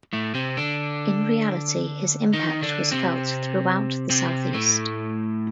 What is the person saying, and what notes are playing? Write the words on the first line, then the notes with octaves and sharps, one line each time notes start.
In reality, his impact was felt throughout the southeast.
A2 A3
C3 C4
D3 D4
D#3 D#4
D3 D4
C3 C4
C3 C4
A2 A3